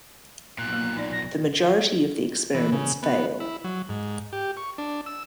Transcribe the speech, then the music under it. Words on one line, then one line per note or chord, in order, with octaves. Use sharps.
The majority of the experiments fail.
B1 A#2 F#6
A#3
D#4 D5
A#6
E3
C#3
B3
E4
F#3
G#2
G4
C#6
D4
E6